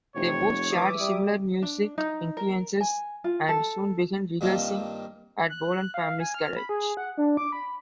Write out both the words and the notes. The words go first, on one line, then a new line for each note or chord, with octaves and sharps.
They both shared similar music influences and soon began rehearsing at Bolan family's garage.
F1 C3 C#5
E3 E5 D6 D#6
G3
D4
D#4
A#4
G#5
F4
A4
G2 D#3 A#3 C4 D4 F4
F#6
F5
G#5
F6
B5
G#4
F#5
D4
D6
B5